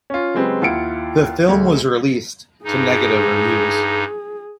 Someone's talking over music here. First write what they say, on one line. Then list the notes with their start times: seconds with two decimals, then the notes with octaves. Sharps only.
The film was released to negative reviews.
0.10 C#4 F4
0.34 C#3 F#3 G#3 C4 G4 B4
0.62 D#2 E4 F4 F#5 C#7 D7
1.48 D2 G#3
2.65 G2 D#4 G#4